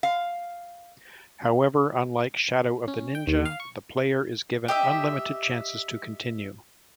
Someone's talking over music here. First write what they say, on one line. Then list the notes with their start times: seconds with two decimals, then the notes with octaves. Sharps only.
However unlike "Shadow of the Ninja", the player is given unlimited chances to continue.
0.03 F5
2.88 C#4
3.15 G5
3.27 D#2
3.45 F5
3.60 C#6
4.68 G4 D#5 E5